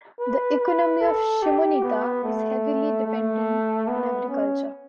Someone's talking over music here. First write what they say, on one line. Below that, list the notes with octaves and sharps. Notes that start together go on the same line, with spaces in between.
The economy of Shimonita is heavily dependent on agriculture.
B4
B4
A4
G4
B3
A3
A3
B3
C#4